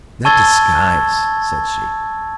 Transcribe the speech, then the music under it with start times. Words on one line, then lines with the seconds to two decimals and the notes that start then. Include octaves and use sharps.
"That disguise!" said she.
0.25 A5 C#6 E6 G#6 A6 G7